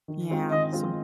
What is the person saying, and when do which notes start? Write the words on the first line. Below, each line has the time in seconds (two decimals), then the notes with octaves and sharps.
yeah, so
0.08 D#3
0.30 G#3 C4 F4
0.51 D#3 D#5
0.73 G#3 C4 F4